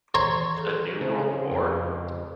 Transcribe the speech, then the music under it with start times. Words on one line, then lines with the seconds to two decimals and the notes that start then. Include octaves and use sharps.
A New World War?
0.14 D#3 E3 C#5 A#5 C6
0.57 G#4 A4
1.01 C#3 C4 C5
1.51 F2